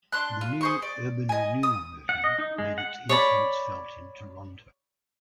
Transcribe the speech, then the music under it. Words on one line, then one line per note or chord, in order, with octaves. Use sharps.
The new "urban renewal" movement made its influence felt in Toronto.
D4 C6 F#6
F4
G#4 C5 C#6
D5
D#5 G#5
D#6
F#5
D#5
D#4
G#3
F#5
C#5 D5 B5